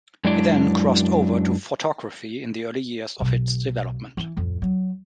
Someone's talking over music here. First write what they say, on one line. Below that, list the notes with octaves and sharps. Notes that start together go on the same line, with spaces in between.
He then crossed over to photography in the early years of its development.
F#2 F#3 G#3 D4 E4 D5
B1 B2
E3
D1 F2
F#3